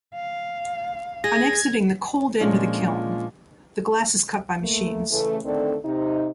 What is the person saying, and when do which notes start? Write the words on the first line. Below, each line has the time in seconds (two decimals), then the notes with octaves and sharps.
On exiting the "cold end" of the kiln, the glass is cut by machines.
0.15 F5
1.24 G#4 G#6 A#6
2.40 A#2 F3 G#3 C#4 D4 F4
4.62 A3 A#3
5.11 C#3 E3 A3
5.45 D3 D#3 A3 C4 A4 D5
5.85 C3 D#4